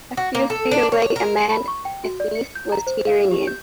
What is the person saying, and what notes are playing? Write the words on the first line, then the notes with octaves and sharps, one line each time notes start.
A few feet away a man, a thief, was peering in.
F#4
A#3
A4
D4
C#5
A#4
B5
C#6
G5
F#4
D5
C#7
G6
A#5
C5
F5
G4
G6